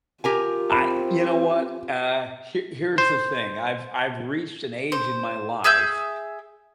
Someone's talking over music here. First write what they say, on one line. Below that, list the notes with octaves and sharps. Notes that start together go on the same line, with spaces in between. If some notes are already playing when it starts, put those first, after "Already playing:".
I you know what, uh, here here's the thing, I've I've reached an age in my life
F4 G4 A#4 G#5
C4 B5
C5
C5
G#4 E5 E6 G6